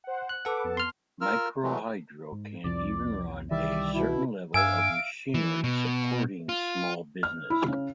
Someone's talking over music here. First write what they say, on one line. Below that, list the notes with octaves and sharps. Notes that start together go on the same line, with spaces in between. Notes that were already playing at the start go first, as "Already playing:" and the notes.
Microhydro can even run a certain level of machinery supporting small businesses.
C5 F#5
F#6
A4 B4 F#5 D6
F2 B3 A5
C6 F6
F4 A#4 E6 F6
E3 F#3 G#3 A3
G#2
C2 F2 F3 D5
C2 D#3 E3 G3 D5 E5
B2 E4
G2 E5 F5 G#5 E6 G#6 D7
E3
B2
F4
F6
E4
C#3